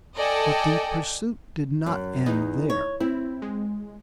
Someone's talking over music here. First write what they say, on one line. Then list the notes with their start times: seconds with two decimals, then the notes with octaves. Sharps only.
But the pursuit did not end there.
0.16 A4 D5 D#5 G5 G#5
1.86 F#2
2.26 E2 D#4
2.70 C#5
3.00 C4 E4
3.42 G#3